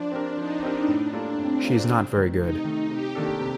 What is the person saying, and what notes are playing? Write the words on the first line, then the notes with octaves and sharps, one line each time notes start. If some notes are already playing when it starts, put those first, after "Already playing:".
She's not very good.
Already playing: F3 D4
C4 G4 A#4
F3 D#4
C4 G4 A#4
A2 D4
G3 A#3 F4 A4
A2 C4
G3 A#3 F4 A4
C3
D#3 A3
C3 D#4
D#3 A3
C3 G4
D#3 A#3 D4 A4
C3